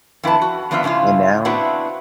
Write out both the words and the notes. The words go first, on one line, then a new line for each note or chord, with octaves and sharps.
And now
F2 E4 B4 A5
F#4
F3 B3 D4 F4 E5
G#2 C#3 C#4 E4 F4
B3 C4 D4 E4 F#4